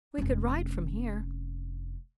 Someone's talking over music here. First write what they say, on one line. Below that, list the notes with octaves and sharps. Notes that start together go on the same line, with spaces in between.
"We could ride from here."
F1 C#4